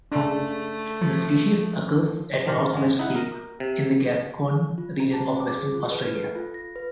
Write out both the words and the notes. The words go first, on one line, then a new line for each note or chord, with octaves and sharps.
The species occurs at North West Cape in the Gascoyne region of Western Australia.
C#3 A3 D4
F3
A1 D#3 F3 A#4 C5 D5
G#1 G#3
D#4 E4 E5 F#5
A#4
C3
F4
A#5
A5
C5
D6
G#4
F4
B4
A4
F4
A#6
B4